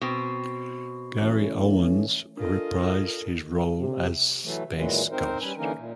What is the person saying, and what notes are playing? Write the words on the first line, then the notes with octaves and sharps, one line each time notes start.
Gary Owens reprised his role as Space Ghost.
B2 C4
E3 A3 C#4
D4 F4 A4 A#4 D#5
C3
E3 F#3 A3
A#2 D#3 E3 F#3 G#3
C4 D#4 A#4 C5
G3 C#4 B4 G#5
D3 E3 A#3 C#4 D#4 A#4
A#2